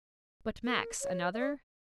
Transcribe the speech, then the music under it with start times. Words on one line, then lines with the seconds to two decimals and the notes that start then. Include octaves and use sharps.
'But, Max, another?
0.65 A#4
1.02 C#5
1.34 E5
1.39 D5